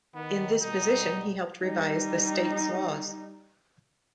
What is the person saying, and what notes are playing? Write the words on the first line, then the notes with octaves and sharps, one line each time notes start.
In this position he helped revise the state's laws.
D#3 B3
B2 G3 D#4
G3 D#4